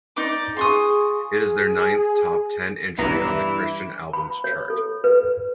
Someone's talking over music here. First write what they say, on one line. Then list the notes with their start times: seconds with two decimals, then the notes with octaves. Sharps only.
It is their ninth top ten entry on the Christian Albums chart.
0.16 D#4 D5 D6
0.57 F4 G#4 C#6 D#6
1.16 G#4
2.98 B1 G2 E3 B3 E4 A#5
4.13 B5
4.44 C#5
4.70 A4
5.04 B4